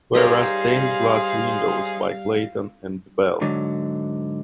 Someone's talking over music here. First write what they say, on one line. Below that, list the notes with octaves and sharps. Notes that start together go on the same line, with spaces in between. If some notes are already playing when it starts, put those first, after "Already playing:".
There are stained glass windows by Clayton and Bell.
G3 D#4 G#4 A#4 C5 C#5 F5
G#2 D3 F#3